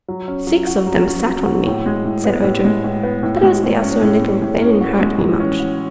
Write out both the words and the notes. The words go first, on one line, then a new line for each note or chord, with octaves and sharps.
"Six of them sat on me," said Ojo, "but as they are so little they didn't hurt me much."
F#3
C#4
F#3
F#4
F#3
C#4
F#3
F#4
A2
G#3
A2
B3
A2
G#3
A2
B3
A2
G#3
A2
C#4
A2
G#3
A2
C#4
F#4
G#3
E3
C#4
F#4